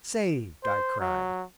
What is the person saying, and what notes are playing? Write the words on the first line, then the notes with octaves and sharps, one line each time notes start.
"Saved!" I cried.
C5
F#3